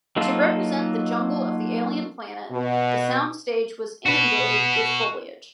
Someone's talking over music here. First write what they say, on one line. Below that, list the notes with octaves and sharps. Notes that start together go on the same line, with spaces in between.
To represent the jungle of the alien planet, the soundstage was inundated with foliage.
F#3 A#3 D#4 F4 A4
B2
F#4 B4